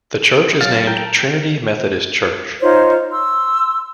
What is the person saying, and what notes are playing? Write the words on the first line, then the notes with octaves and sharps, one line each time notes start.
The church is named Trinity Methodist Church.
F#3 F5 A6
A4 A#4 G5
D#4 F4 C5 C#5
C6 E6